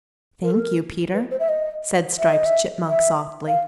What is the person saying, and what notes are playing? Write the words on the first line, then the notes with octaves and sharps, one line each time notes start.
"Thank you, Peter," said Striped Chipmunk softly.
A#4
A4
A#4
B4
C5
E5
D#5
E5
D#5
E5
E5
F5